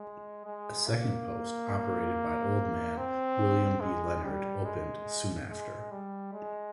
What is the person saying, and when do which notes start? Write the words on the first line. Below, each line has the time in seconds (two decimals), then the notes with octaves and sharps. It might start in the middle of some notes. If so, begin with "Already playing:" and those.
A second post operated by "Old Man" William B. Leonard opened soon after.
Already playing: G#3
0.45 G#3
0.87 A#3
2.97 C4
3.81 G#3
4.23 G3
4.65 G#3
5.50 G#3
5.91 G3
6.33 G#3